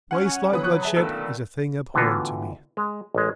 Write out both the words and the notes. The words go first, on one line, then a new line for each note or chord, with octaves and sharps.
Waste, like bloodshed, is a thing abhorrent to me.
F#3 C#4 F#5 G#5 C#6
D3 E3 F#3 B3 B4 D#6
C#6 F#6
G#4 E5 A5
B1 A#2 D#3 A3 A4 E6
A2 D3 E3 B3 F4 F#4
G#3
A1 G#3